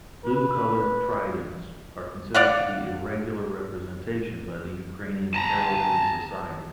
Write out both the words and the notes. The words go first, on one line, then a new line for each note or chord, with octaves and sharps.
Blue colored tridents are considered to be irregular representation by the Ukrainian Heraldry Society.
B4
D5 F5 F#5
A5 A#5